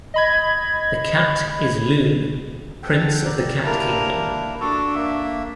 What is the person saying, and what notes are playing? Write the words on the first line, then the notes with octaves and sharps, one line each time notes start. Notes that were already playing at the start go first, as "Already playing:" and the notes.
The cat is Lune, Prince of the Cat Kingdom.
D#5 B5 G#6
A4 F#5 G5
G4 A#4 D5
A#3 D4 E4 G4 A#4
D4 F#4 A4
A#3 E5